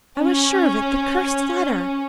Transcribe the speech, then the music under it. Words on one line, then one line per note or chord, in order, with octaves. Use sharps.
"I was sure of it--the cursed letter!"
C#4